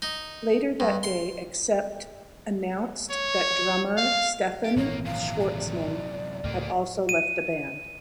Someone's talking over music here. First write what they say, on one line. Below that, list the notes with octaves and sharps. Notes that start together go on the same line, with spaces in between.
Later that day, Accept announced that drummer Stefan Schwarzmann had also left the band.
D#4
G2
C6
C#5
F5
G4 F5
G#1 D#2 A#2 E3 A#3 C#5
F#2 C3 F5
D5
C#2 A2 A3 A#3 G4
D#7